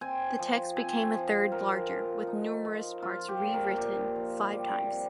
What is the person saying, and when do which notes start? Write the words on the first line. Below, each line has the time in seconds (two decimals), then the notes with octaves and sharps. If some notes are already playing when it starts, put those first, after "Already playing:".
The text became a third larger, with numerous parts rewritten five times.
0.01 C4 G#5
0.39 F3
0.76 C4 G#5
1.15 F3
1.52 F3 A#4
1.90 F3
2.27 D#4
2.65 F3
3.02 F3 F4
3.28 G4
3.41 A#2
3.54 A#4
3.78 A#2 G4
4.16 F3
4.53 G3
4.91 C3